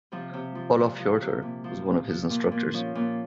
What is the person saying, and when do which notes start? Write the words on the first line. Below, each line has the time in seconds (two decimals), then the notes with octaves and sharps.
Olof Hiorter was one of his instructors.
0.12 C3 F3 F4
0.34 C3
0.55 F3
0.77 F3
0.99 F3
1.21 C3
1.42 A#2
1.64 F3
1.86 F3
2.08 F3
2.30 A#2
2.52 A#2
2.73 F3 C#4
2.95 A#2